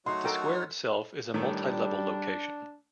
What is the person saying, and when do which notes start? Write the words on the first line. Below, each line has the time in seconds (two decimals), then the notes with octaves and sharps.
The square itself is a multi-level location.
0.06 F#3 A3 D#4 F#4 C#5 F#5 C6
0.24 A4 A#4 G5
1.34 A2 D#3 G3 A3 D4